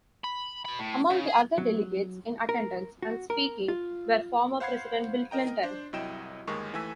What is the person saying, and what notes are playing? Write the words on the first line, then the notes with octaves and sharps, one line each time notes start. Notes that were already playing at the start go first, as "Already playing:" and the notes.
Among the other delegates in attendance and speaking were former President Bill Clinton.
B5
B2 B5
A2
C#3
G#4
F#3
A#4
F#4
A#4
F4
C5 F5 F#5 B5 G#6 C7
A#4 D#5 G5 A#5
D4 C5
C2 F#3 E4 D#5 G5 E7
G1 D#2 G#3 A#4 C#6
D#2 E3 A3 G#5 E6 B6